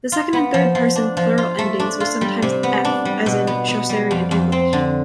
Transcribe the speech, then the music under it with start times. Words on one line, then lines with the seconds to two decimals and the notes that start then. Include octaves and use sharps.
The second and third person plural endings were sometimes -eth as in Chaucerian English.
0.12 F4
0.33 B3
0.54 F3
0.75 F3
0.96 D4
1.17 F3
1.38 F4
1.59 A3
1.80 D4
2.00 F4
2.21 G3
2.42 C3
2.63 B3
2.85 D4
3.05 G3
3.26 B2
3.47 B3
3.68 B3
3.89 G3
4.11 F2
4.31 F2
4.52 C4
4.73 D3